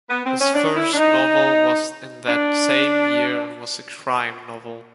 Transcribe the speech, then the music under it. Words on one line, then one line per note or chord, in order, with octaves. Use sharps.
His first novel was in that same year and was a crime novel.
B3
C4
C#4
D4
E4
D4
D#4
D4